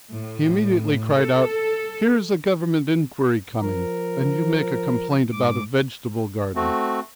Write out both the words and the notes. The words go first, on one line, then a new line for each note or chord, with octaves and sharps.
He immediately cried out: 'Here is a Government inquiry coming, and you make a complaint about a vegetable garden.
A2
A4
F3 A#4
G#2 D6
A3 C4 F#4